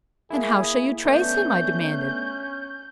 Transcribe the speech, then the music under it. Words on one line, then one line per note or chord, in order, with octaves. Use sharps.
"And how shall you trace him?" I demanded.
A#3 E4 G#4
A3 B3 C#4 D4 G6